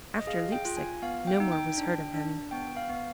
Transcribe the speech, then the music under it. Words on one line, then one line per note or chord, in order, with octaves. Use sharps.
After Leipsic no more was heard of him.
D#5
G#4 F5
G5
F4
G#5
B3 F5
G5
D#4
G5
D4
D4
B3 G5
F5
B3